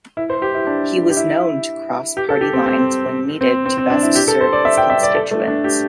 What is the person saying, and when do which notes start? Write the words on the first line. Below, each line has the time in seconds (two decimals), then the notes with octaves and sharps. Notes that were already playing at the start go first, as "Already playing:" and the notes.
He was known to cross Party lines when needed to best serve his constituents.
0.17 E4
0.30 C5
0.42 G4
0.54 E4
0.67 D4
1.10 G4
1.17 E4
2.17 G4
2.29 A4
2.41 G4
2.53 C4
2.66 C4
3.41 C4
3.66 C4
3.78 C4
3.90 D4
4.03 E4
4.15 G4
4.28 A4
4.41 C5
4.53 D5
4.65 E5
4.77 G5
4.90 E5
5.03 D5
5.15 A4
5.31 A3
5.48 D4
5.64 G4